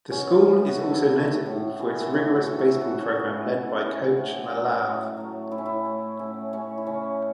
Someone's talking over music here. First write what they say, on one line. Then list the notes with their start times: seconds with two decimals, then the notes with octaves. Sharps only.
The school is also notable for its rigorous baseball program led by Coach Malave.
0.11 B2 C#4
0.45 A3
0.68 F#4
0.78 B2 A4
1.12 A3
1.46 A2
1.79 E3 A3
2.00 A4
2.13 A2 F#4
2.36 F#4
2.48 E3 A3
2.59 A4
2.81 C#3 F#4
3.15 E3 A3
3.48 C#3
3.83 E3 A3
4.17 A2
4.51 F#3 A3
4.83 A2
5.17 F#3 A3
5.51 A2 E4
5.58 C#4
5.66 E4
5.85 A3
6.19 A2 C#4
6.53 A3 C#4
6.78 E4
6.86 C#3 C#4